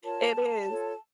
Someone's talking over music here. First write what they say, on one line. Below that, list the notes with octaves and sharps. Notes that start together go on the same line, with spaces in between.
it is.
F4 A#4 C#5 A5
F4 A4 C#5